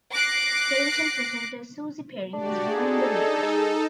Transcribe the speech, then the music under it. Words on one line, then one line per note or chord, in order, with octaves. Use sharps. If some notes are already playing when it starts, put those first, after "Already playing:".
Television presenter Suzi Perry was born in the village.
D6 F#6 A#6 C7 D7
D4 F#4 G4 D5
D#4 G#4 A4
G#3